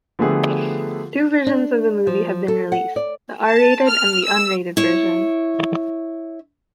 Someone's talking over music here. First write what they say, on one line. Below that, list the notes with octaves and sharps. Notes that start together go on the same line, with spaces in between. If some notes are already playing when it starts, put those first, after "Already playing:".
Two versions of the movie have been released: the R-Rated and the Unrated Version.
D3 F3 A3 B3 G4 G#4
D4
F3
A4
F#5
D5
A5
F6
E6
E4 C#5